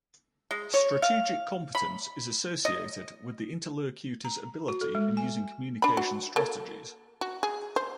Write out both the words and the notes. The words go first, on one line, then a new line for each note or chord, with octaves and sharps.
Strategic competence is associated with the interlocutors' ability in using communication strategies.
G#3
C#5
F5
B5
D#5
A#5
F#4
A4
G#3
G#5
D4 B5
F#4
A#3 A4
F#4
G#4
C5